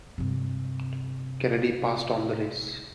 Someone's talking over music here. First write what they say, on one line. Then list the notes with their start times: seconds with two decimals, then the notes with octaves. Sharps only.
Kennedy passed on the race.
0.18 G2 C3